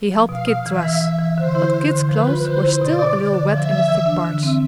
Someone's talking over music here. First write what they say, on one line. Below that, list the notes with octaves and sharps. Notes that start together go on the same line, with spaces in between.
He helped Kit dress, but Kit's clothes were still a little wet in the thick parts.
F3
B2 F5
B2
E3 E5
E3
E3
E3
D3 C5
E4
D3
D3
F3 B4
F4
D3 C5
E4
B2 D5
B2
D3
D3
F3 E5
F3
E3
D4
D3
C4